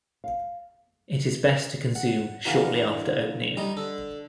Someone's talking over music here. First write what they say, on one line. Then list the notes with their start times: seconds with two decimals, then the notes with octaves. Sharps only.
It is best to consume shortly after opening.
0.24 F5
1.96 F#5
2.45 D3 E3 G3 F5 F#5 A#5
3.57 G3 D#4 D#5
3.77 D3 A4